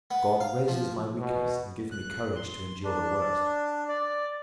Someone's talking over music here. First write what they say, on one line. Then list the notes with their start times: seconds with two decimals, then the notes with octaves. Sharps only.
God raises my weakness and gives me courage to endure the worst.
0.11 B3
0.40 F5
0.68 F3
1.19 B2
1.91 F#6
2.35 C6
2.84 D4
3.88 D5